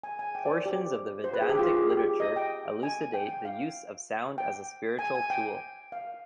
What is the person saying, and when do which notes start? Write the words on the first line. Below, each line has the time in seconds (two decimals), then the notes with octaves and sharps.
Portions of the Vedantic literature elucidate the use of sound as a spiritual tool.
0.03 G#5
0.19 G#5
0.35 G5
0.45 D5
0.50 C5
0.66 G4
1.24 C5
1.34 B4
1.42 G#4
1.49 G4
1.59 F4
1.73 G#4
1.90 G4
2.20 D#5
2.36 G5
2.83 G#5
3.14 G5
3.29 G5
3.45 F5
4.38 G5
4.99 G#5
5.15 G#5
5.30 G5
5.92 F5